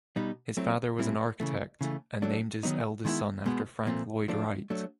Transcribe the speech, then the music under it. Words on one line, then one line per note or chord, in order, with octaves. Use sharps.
His father was an architect and named his eldest son after Frank Lloyd Wright.
B2 G3 B3 D#4
F#3 A3 C4 E4
A#2 G3 C4 E4
C#3 E3 A3
C#3 E3 A3
F#3 A3 D4
D#3 F#3 B3 D#4
D#3 G#3 B3 E4
B2 G#3 B3
A#2 F3 A3 C4
F3 A3 D4
F#3 A3 D4